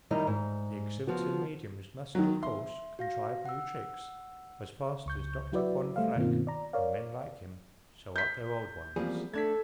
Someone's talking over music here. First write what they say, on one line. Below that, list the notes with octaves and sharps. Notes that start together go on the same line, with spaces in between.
The exhibiting mediums must, of course, contrive new tricks as fast as Dr. Von Vleck and men like him show up their old ones.
F#2 D#3 G3 D#4 E4 D#5
G#2
F3 B3 F#4
D#3 F#3
E5 C6
F#4 F5 A#6
F#5 E6
C#2 C#6 G6
F#3 E4 F#4 B4 D5 E5
G3 A3 C5 E5 F5
G2 B2 D#3 A#3 C4 F4
D5 A#5
A#4 C#5 D5 F5
G6 B6
E2 F3 G3 A#3 C4 G#4
A3 D4 A4 G#6 B6